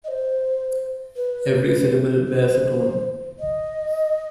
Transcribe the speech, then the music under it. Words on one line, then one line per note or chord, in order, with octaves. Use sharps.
Every syllable bears a tone.
D#5
C5
B4
C5
D#5